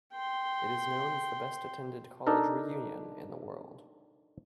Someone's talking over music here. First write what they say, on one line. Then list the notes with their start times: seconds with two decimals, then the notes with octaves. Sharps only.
It is known as the best-attended college reunion in the world.
0.13 G5 C6
2.27 D4 D#4 A4 A#4